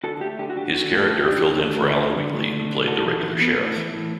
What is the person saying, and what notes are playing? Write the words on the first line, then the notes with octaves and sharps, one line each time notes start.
His character filled in for Alan Wheatley, who played the regular sheriff.
D3 F#4 A4
A3 G4
D3 G4
F#4
D4 G4
D3 F#4
A3
A4
D3 G4
D4
D3
A3
D3
D4
D3
A3
D3
D4
A2 F#4 A4
E3
A2
B3
A2
E3
A2